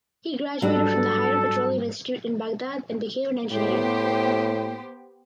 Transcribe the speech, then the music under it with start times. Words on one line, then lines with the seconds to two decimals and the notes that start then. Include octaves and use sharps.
He graduated from the Higher Petroleum Institute in Baghdad and became an engineer.
0.62 G#2 F#3 G3 D4 A4
3.52 A2 B3 G4 C5